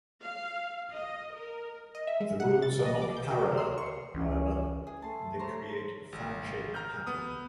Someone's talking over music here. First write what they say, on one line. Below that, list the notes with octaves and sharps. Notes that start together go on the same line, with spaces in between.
The rows are not parallel, however, and they create a fan-shaped pattern.
F5
D#5
A#4
D#5
E5
G#3
F#5
A6
D#5
D6
G6
F#4
A#4
C6
C#6
C#2 E3 C#4
G#4
A3 A5 C6
C5 C#5 A#5
G#1
A#5 F6 G6
B3 D#6